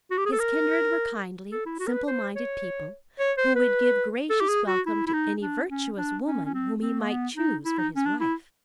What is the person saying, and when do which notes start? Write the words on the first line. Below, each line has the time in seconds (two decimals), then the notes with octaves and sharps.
His kindred were kindly, simple-minded people, who would give gracious welcome to any virtuous woman whom he might choose for his wife.
0.11 F#4
0.18 G4
0.25 G#4
0.32 A4
0.40 A#4
1.51 A4
1.66 E4
1.79 F#4
1.87 A#4
1.93 B4
2.07 C5
2.35 C#5
3.19 C#5
3.38 C5
3.55 B4
4.30 A4
4.40 G4
4.49 G#4
4.67 F#4
4.86 E4
5.07 E4
5.13 D#4
5.41 D4
5.70 C#4
5.98 D4
6.25 C#4
6.46 C#4
6.54 C4
6.81 C4
7.00 A#3
7.08 B3
7.36 D#4
7.65 E4
7.78 D#4
7.96 C#4
8.06 D4
8.20 E4